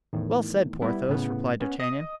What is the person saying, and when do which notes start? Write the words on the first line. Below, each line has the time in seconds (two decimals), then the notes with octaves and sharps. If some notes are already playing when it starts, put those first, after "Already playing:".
"Well said, Porthos," replied D'Artagnan.
0.13 E2 A2 D#3
0.82 G3 B3 E4
1.09 A2 C#3 B3
1.60 B3 C#4
1.80 D#5 D#6